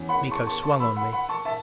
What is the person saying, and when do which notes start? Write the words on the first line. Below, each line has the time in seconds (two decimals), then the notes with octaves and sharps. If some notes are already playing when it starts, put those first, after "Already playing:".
Miko swung on me.
Already playing: E2 E3 C#4
0.09 F#5 B5
0.31 A5 C#6
0.47 A5 C#6
0.63 A5 C#6
0.80 B5 E6
0.96 F#5 B5
1.13 F#5 B5
1.29 A5 C#6
1.45 E5 A5